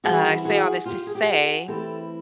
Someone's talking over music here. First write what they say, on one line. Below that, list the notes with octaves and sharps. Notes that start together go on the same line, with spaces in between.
I say all this to say,
E3 G3 C4 E4 F#4 G#4
F#4 G#4
F4 G4
G#4
G4
F#4 G#4
E3 A3 C4 E4 G4 A4